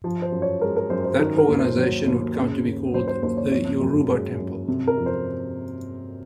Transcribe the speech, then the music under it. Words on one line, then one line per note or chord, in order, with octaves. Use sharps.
That organization would come to be called the "Yoruba Temple".
F3
C5
F#2
C#5
G#3 A#4
A#4
F#2 C5
C5
D#3 A#4
A#4
D#2
C5
F#3
D#2
C#3
D#2
F#3 C5
C5
D#2 C5
C#5
F3 C#5
F#2
G#3
F#2
C3
A#4
F2
C5